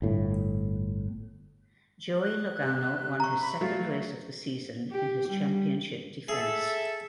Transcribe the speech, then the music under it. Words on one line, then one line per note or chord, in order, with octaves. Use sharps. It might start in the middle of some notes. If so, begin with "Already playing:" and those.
Joey Logano won his second race of the season in his championship defense.
G1 A2
F#6
C3
A#5 C#6
B5
F#3 A3 F4
G4
G3
G#4 A4 E5